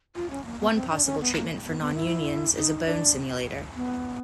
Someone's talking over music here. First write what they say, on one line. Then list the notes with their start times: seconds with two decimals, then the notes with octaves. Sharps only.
One possible treatment for nonunions is a bone simulator.
0.15 F4
0.30 C#4
0.45 A#3
0.60 B3
0.71 B3
0.75 C4
0.90 D4
1.05 C#4
1.20 B3
1.35 A#3
1.65 B3
1.80 B3
1.95 E4
2.55 D#4
2.86 D4
3.76 B3